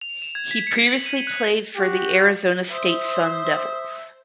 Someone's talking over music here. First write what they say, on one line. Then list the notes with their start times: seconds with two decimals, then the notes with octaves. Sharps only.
He previously played for the Arizona State Sun Devils.
0.01 F7
0.22 E7
0.35 G#6
0.51 B6
0.67 C#7
0.84 F#7
1.06 D#7
1.27 F#6
1.75 F#4 G4
2.71 C5 E5 D#6